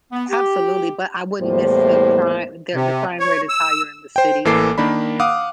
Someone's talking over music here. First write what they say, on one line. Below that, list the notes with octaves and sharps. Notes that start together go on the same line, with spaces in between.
Absolutely, but I wouldn't miss the crime the the crime rate is higher in the city,
B3
G4
E2 A2 G3 A#3 C5
C3
C#5
E6
C5 G5
A1 E3 A#3 A4 D6 C7
D#3 A#3 D4 B5
F5 F#5 D6 D#6